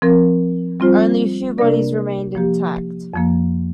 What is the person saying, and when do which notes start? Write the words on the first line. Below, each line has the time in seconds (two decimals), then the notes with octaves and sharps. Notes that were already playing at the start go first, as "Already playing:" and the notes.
Only a few bodies remained intact.
0.02 F3 C4 A#4
0.80 G3 C4 F4 C5
1.58 C3 A#3 D4 A#4 D5
2.35 F3 A#3 G4
3.14 F2 F3 A#3